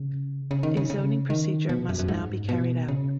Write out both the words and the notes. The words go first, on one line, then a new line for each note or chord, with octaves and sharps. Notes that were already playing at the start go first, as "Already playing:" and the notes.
A zoning procedure must now be carried out.
Already playing: C#3
C#3
D#3
C#3
C#3
D#3
B2
F#2
F#2
G#2
B2
C#3